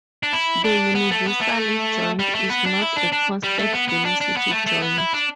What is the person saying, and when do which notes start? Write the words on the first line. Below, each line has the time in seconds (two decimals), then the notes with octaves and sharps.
The universal joint is not a constant-velocity joint.
0.23 D4
0.33 E4
0.64 D4
0.95 B3
1.11 A3
1.26 B3
1.41 A3
2.19 G3
2.35 A3
2.50 B3
2.66 D4
2.81 E4
2.96 D4
3.12 D4
3.43 G3
3.59 A3
3.74 B3
3.89 B3
4.06 D4
4.21 D4
4.37 B3
4.51 A3
4.67 A3
4.82 B3
4.98 E4
5.14 D4